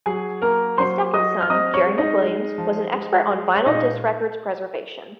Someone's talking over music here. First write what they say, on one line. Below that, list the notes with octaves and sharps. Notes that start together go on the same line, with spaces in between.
His second son, Jerry McWilliams, was an expert on vinyl disc records preservation.
F#3 G#4 G#5
A#3 A#4 A#5
F#3 C5 C6
F#3 D#5 D#6
F6
C4 D#5 D#6
C#5 C#6
G#3
D#4 D#5
G#3
F3
G#3
G#3
C#5
A#2 D#4 D#5